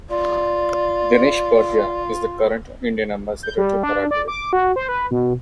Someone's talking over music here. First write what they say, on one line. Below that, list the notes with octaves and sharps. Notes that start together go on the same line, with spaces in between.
Dinesh Bhatia is the current Indian Ambassador to Paraguay.
F4 D5
G6
G3
D4
D5
D6
F#4
C5
B4
B2